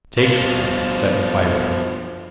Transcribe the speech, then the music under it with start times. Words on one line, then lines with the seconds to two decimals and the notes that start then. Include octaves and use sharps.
"Take the thing," said Kwairyo.
0.17 B2 F3